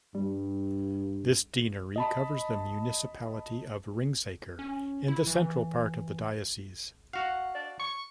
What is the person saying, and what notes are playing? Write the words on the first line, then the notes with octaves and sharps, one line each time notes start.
This deanery covers the municipality of Ringsaker in the central part of the diocese.
G2 G3
D#5 A5 B5
C#4
E4
E3
F#4 F5 F#5
D5
C#6